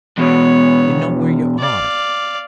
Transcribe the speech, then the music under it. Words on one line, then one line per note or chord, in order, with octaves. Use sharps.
You know where you are.
E2 B2 B3 C#5
D5 F5